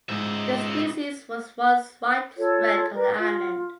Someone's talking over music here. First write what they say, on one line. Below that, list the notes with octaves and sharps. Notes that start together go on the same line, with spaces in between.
The species was once widespread on the island.
C#2 G#2 C5 D#5 E5
F4 A4 C#5
A#4 B4 D5 A#5
F4